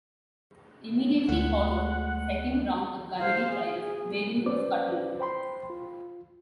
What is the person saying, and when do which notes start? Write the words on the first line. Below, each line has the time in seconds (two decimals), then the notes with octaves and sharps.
Immediately following the second round of gunnery trials, "Baden" was scuttled.
1.28 D2 G#3 A3 F#5
3.19 C5 F5
3.51 G#4
4.46 C#4 B4 C5 D5 D6
5.20 C5 G5 B5 C6
5.70 F4